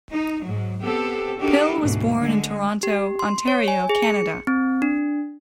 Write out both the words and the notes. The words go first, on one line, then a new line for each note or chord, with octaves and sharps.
Pill was born in Toronto, Ontario, Canada.
D#4
G#2 F#3
B3 C4 G4 A4
D4 D#4 F#4 G4 A4 A#4
D2 G#2 B2
D3 G#3
G4
C6
C#5
G#5
G#4
C#7
C4
D4